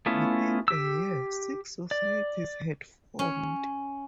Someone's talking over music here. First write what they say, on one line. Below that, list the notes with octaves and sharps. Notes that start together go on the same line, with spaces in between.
Within a year, six societies had formed.
A3 B3 C#4 E4 F4
G4 E6
D5
C#4